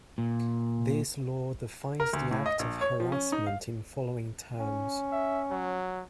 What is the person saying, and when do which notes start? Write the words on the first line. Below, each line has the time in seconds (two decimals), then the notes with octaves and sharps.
This law defines the act of harassment in following terms.
0.18 A#2
2.00 A#4
2.13 D2
2.31 A2
2.46 D#5
2.59 A#1
2.81 C#5
3.00 F3
3.12 C#4
3.32 D#4
3.47 F5
4.60 C#4
5.12 E5
5.50 F#3